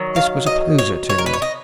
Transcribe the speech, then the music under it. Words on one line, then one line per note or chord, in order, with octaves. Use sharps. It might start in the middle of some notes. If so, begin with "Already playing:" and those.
This was a poser to me.
Already playing: D#3 F#3
F5
D#5
C#5
C#5
A#4
B4
C#5
D#5